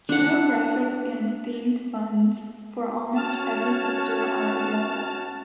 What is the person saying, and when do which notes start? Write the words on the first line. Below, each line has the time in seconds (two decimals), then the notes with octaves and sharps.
Geographic and themed funds for almost every sector are available.
0.09 D4 F#5
3.15 C#4 F#4 A5 F6 E7